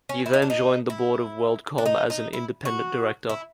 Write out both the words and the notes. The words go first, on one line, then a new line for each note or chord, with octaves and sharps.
He then joined the board of WorldCom as an independent director.
C#4
E4
D#4
D4
D#4
E4
D4
D#4
D#4
E4
F#4
E4